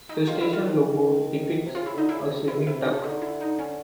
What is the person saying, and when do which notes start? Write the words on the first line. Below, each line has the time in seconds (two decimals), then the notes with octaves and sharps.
The station logo depicts a swimming duck.
0.09 D#4
0.27 D#3 F4
0.37 D3 E4
0.47 D#3
0.53 F4
1.65 C3
1.75 C#3 F4
1.86 E4
1.93 D3 D#4
2.09 C#3 E4
2.30 C3
2.48 B2 E4
2.67 C3 E4
2.80 C3
2.85 C#3 D4
3.03 D3 D#4
3.22 E4
3.40 D#4
3.59 C#4